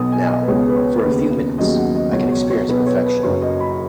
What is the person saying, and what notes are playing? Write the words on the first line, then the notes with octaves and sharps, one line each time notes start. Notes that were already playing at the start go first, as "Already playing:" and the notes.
Now, for a few minutes, I can experience perfection.
Already playing: B1 B2 B3 D#6
G#5
D#5
B4
C#2 B2 G#3 B3 C#5
B4
C#5
D#2 C#3 B3 B4
D#2 C#3 F#3 B3 D#5
F#5
D#5
C#2 B2 F#3 B3 C#5
C#5
C#5
B1 B2 B3 B4
C#5
B4
F#1 F#2 F#3 C#5
D#5
B5